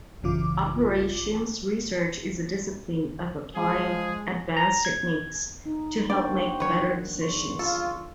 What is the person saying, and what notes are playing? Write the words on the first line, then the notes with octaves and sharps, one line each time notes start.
Operations research is a discipline of applying advanced techniques to help make better decisions.
A1 F#2 C#3 E3 F4 D6
F3 G#3 G#4
A#5
G#6
D#4
A#3 D4 F#4 C5 D5 G5
D#3 F#3 B4 C#5
E2 C6 C#6
F4 A4